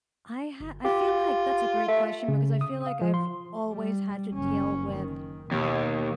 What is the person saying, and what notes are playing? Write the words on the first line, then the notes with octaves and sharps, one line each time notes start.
I ha I feel like that's a great question because I feel like I've always had to deal with
G1
F4 G4
A3
C#3
D#6
F5
F3
C6
G3
F#1 C#4
D#3
D#2 B2